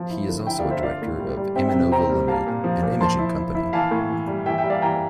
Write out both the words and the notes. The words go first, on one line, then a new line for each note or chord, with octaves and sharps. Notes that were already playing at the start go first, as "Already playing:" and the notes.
He is also a Director of Imanova Limited, an imaging company.
Already playing: F3 A5
E4
D3
E4 E5 G5
D5 F5
D3
C5 E5
F4 D5 F5
A2
G3
G3
C4 E5 G5
E5 G5
C3
C4 G5 A#5
G3
A#3 F5 A5
A#2
F3
A#2
F3 A5 C6
E4
E4
E4
E3 F5 A5
A2
E3
G3
E3 E5 G5
E5 G5
G3
D5 F5
E3 G5 A#5